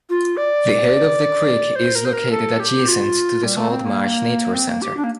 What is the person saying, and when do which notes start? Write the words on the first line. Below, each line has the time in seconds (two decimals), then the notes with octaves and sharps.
The head of the creek is located adjacent to the Salt Marsh Nature Center.
0.09 F4
0.37 D5
1.75 C5
1.95 A#4
2.05 C5
2.13 A#4
2.31 A4
2.60 G4
2.88 F4
3.43 G3
3.56 A3
3.70 C4
3.84 A#3
4.54 C4
4.68 A#3
4.82 G4
4.97 D4
5.04 A#3